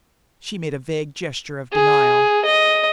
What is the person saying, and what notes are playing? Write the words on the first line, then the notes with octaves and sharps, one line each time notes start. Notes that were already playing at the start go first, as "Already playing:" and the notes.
She made a vague gesture of denial.
G#4
D#5